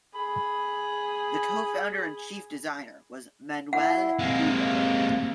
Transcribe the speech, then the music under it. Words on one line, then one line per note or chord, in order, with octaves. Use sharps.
The co-founder and chief designer was Manuel Huber.
G#4 B5
E4 F#5
C3 G#3 A#3 F5